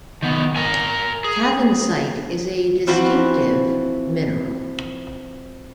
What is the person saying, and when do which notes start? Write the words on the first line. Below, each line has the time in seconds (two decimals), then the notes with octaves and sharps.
Cavansite is a distinctive mineral.
0.22 D#3 B3
0.56 A#4 G#5
1.24 G#4
2.87 E3 F3 C4 E4 F#4 B4